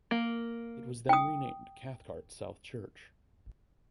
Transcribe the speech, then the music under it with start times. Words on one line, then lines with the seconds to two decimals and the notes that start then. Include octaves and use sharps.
It was then renamed Cathcart South Church.
0.11 A#3
1.09 G5 D#6